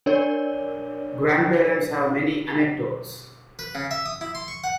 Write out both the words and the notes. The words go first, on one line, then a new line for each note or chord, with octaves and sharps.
Grandparents have many anecdotes.
D4 A#4 C#5 D5
B4
C#3
E5
D#6
E4
C6
C#6
F#5